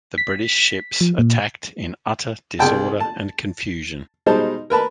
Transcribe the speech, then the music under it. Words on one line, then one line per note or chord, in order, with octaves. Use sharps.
The British ships attacked in utter disorder and confusion.
B6
F3
A#2
C2 G#4 G5 A5
A5
B2 G3 G#3 D#4 C5 A5
A#4 B4 A5 B5